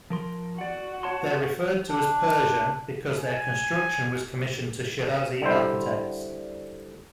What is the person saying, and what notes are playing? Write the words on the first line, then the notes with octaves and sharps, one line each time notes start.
They are referred to as "Persian" because their construction was commissioned to Shirazi architects.
F3 A#4 C6
F#4 D5 F#5
C#5 A5 C6
D4
G#5
D3 G3 E4 C5